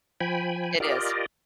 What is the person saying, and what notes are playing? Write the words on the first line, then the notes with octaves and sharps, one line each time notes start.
It is.
F3 G5 G#5 B5
F4 G4 A#4 D5 D#5